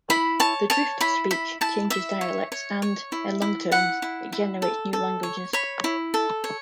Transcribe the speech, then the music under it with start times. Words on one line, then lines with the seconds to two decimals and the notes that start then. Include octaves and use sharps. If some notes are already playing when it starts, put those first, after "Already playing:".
The drift of speech changes dialects and, in long terms, it generates new languages.
0.10 E4 B5
0.40 C#5 A5
0.70 C#5 A5
1.00 E4 B5
1.31 E4 B5
1.61 E4 A5
1.90 E4 E5
2.21 C#5
2.52 C#5
2.82 C#5
3.12 E4
3.42 E4
3.72 E4 F#5
4.02 E4
4.32 E4
4.62 A4
4.93 A4
5.23 C#5
5.53 C#5 B5
5.84 E4
6.14 A4
6.44 C#5